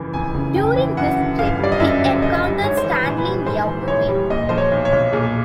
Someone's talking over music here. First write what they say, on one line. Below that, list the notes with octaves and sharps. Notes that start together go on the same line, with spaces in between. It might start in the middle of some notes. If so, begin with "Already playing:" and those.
During this trip he encountered Stanley near Vivi.
Already playing: F#1 F2 C#3 E3
F2 G#5
C#3
F#1 G5
E3
F#2 F#5
D3
G1 F5
G3 D5
D#5
F#2 E5
D3
G1 D#5
G3
G#2 C#5
C5
E3
B4
A#1
B4
G3
G#2 C5
E3
A#1 C#5
G3
A#2 D#5
F3 C5
C#5
B1
C#5
B1
A#2 G#4